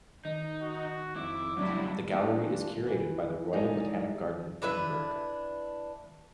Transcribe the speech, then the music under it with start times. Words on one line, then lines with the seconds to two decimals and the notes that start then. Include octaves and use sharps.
The gallery is curated by the Royal Botanic Garden Edinburgh.
0.25 D#3 D#4
0.62 F#4
1.16 F2 E4 D6
1.58 A2 C#3 F#3 G3 D4 E4
2.10 C3 E3 F3 A3 A#3 D4
2.87 E3
3.53 A2 E3 G3 G#3 D#4
4.62 D4 E4 B4 E5